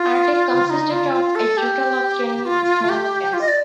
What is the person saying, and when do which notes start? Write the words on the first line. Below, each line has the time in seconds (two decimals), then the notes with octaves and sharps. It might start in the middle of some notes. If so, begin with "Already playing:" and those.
Artek consisted of a total of ten smaller camps.
Already playing: F4
0.70 D#4
0.91 F4
1.13 F4
1.35 A4
1.57 G4
2.45 F4
2.89 G4
3.33 F4
3.41 D#5
3.48 D5